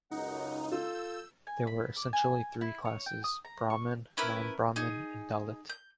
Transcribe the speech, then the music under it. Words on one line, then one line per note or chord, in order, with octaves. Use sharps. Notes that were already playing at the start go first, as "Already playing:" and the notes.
There were essentially three classes: Brahmin, non-Brahmin and Dalit.
C#2 F#2 D#4 F#5
F4 A4 E6 G6
G#5
B5
D5
G#5
E4
C#5
G5
D#6
A#5
C#6
C#4 E4 A#4 B4
D#4 G#4
G6